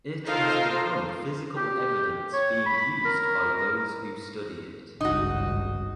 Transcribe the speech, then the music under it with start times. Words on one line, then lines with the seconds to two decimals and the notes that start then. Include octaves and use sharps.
It has become physical evidence being used by those who study it.
0.25 D#4 F4 A4 A#4 C5 F5
1.56 G4
2.33 C#5
2.67 B5
3.05 A#4
5.01 G#1 C#2 G2 D#4 F#4